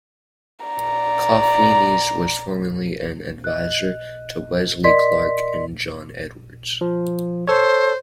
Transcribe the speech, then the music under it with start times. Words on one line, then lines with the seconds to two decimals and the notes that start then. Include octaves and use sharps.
Kofinis was formerly an adviser to Wesley Clark and John Edwards.
0.66 D5 A#5
3.44 D#5 F#6
4.84 A#4 D5 D#5 C6 B6
6.81 F3
7.47 A4 C5 C#5